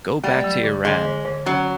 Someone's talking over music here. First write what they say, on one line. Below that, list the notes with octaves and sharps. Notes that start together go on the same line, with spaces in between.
Go back to Iran!
G3 A3
F#3
D3
D3 G#3
D3
D3
F#3 C#4